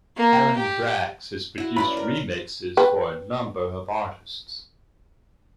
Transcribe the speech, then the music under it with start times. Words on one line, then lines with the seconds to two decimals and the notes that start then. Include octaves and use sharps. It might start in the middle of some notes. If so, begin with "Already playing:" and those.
Alan Braxe has produced remixes for a number of artists.
0.17 A#3
0.56 G4
1.58 E4 F#4
1.76 C#4 B4 D5 B5
1.97 A#4
2.77 B4 G5